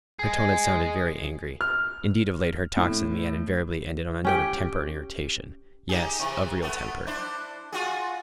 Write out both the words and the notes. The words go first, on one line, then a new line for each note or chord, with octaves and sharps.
Her tone had sounded very angry. Indeed, of late her talks with me had invariably ended on a note of temper and irritation--yes, of real temper.
G#4 D#5
F6
A2
C#4 G4 G5
D#4 G4 G#4
C3 E3
A3 B3
D4 E4 C5
F4 F#4 G#4